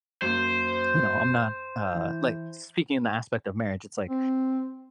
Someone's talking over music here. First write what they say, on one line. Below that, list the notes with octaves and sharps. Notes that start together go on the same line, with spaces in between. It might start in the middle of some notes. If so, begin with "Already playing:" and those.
you know, I'm not, uh, like speaking the aspect of marriage, it's like,
F#2 A#3 C5
E3
C4